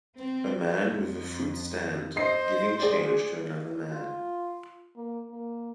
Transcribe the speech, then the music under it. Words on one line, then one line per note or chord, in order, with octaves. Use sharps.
A man with a fruit stand giving change to another man.
C4
F2
C5 D#5 C7
G#4 D5
F4
A#3
A#3